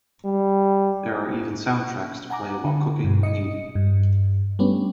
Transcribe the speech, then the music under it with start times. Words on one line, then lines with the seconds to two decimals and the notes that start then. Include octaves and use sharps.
There are even soundtracks to play while cooking and eating.
0.25 G3
2.30 F#5 G#5 A#5 D6
2.65 D3
3.04 G2 B2
3.23 D#5 C#7
3.75 G2
4.59 G3 A3 B3 C#4 D4